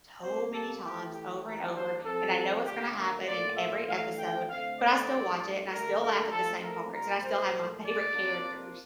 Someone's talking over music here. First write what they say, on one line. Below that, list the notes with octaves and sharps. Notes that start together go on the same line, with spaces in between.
so many times over and over, and I know what's gonna happen in every episode, but I still watch it, and I still laugh at the same parts, and I still have my favorite characters.
C3 G3 A#3 C5
A4
E3 A3 E4 G4
G4
E3 G3 A#3 D4 A#4
C5
F3 C4 F4 A4
D3 A3 D4 F4 G4
A#4
A#2 A3 D4 F4 D5
E5
E3 A3 D4 F5
G5
D3 A3 C4 F5
D5
A2 G3 D4 F4
D3 A3 D4 A#4
A#4
F3 A3 D4 F4 A4
A#4
A#2 G3 D4 F4 A#4
C5
A#2 A3 D4
D5
C3 F3 A#3 D4 F4